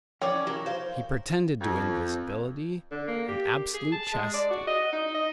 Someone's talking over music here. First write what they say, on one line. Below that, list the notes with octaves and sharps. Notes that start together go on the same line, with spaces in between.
He pretended to invisibility and absolute chastity.
F2 E3 C#4 C#5 D5 G5
F#3 E4 A#4
C5 F5
F2
D3
A#3
G4
G#4
A5
G#3
D5
F#4
D#5
D#4
D#5